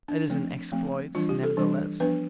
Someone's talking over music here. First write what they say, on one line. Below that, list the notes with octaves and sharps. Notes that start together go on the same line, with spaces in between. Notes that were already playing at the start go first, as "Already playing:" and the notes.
"It is an exploit, nevertheless."
D4
F3 A3 C4
F3 A3 C4
E3 G3 D4 F4
G4
A4
E3 G3 D4
F3 B3 D4 B4